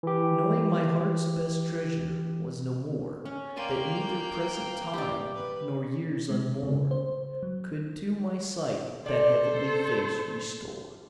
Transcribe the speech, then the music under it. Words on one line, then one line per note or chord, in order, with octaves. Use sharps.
Knowing my heart's best treasure was no more; That neither present time, nor years unborn Could to my sight that heavenly face restore.
E3 G4
C#4
A#3 D5 G5 G#5 C6
G4 D5
B4
G#3
C#3
C5
F#3
A4 C5 D5